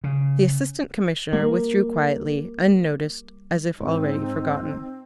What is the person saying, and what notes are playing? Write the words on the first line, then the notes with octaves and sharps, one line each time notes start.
The Assistant Commissioner withdrew quietly, unnoticed, as if already forgotten.
C#3
G3 A#3
G#2 C4 D#4